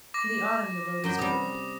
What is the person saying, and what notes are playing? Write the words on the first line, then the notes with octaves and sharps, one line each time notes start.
In the autumn the road is good.
D6 A#6
F#2 F#3 G5
C3 G3 D#6